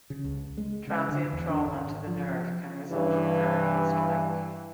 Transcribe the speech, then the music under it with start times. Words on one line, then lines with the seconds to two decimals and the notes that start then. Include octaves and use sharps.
Transient trauma to the nerve can result from peroneal strike.
0.10 C#3
0.24 C#2
0.58 G#3
0.87 C#3
1.09 D3
1.33 E2
1.50 D4
1.66 G#1
2.07 F3
2.89 G2 E3